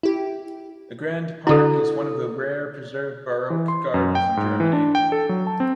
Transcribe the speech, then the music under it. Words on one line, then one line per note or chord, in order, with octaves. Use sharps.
The grand park is one of the rare preserved baroque gardens in Germany.
E4 G4
D3 E4 F#4 A4
E3
C6
F#2
G5
G#2
E3
D4
G5
A4
F#3
A5
C4